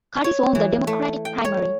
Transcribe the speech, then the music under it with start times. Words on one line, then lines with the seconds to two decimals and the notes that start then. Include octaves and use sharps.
Curtis won the Democratic primary.
0.24 C#5
0.55 E3
0.87 A3
1.25 G5
1.45 C#5